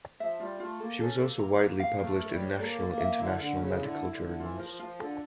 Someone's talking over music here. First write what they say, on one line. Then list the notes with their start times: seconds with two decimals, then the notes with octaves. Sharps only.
She was also widely published in national and international medical journals.
0.20 F3 E5
0.40 G3 F4
0.60 A3 F4
0.80 A#3 A4
1.00 C#4 A4
1.20 A#3 A4
1.40 A#5
1.60 A#5
1.80 F5
1.99 A3 A#4
2.20 A#4
2.30 G3
2.40 C#5
2.59 A#3 A4
2.79 A4
2.90 A#3
2.99 E5
3.20 D3 E4
3.39 D3 A#4
3.59 C#3 C#4
3.80 D3 E4
3.99 E4
4.10 D3
4.20 E4
4.40 E3 F4
4.54 F3
4.59 A#4
4.69 F3
4.80 F3 F4
4.99 D3 A4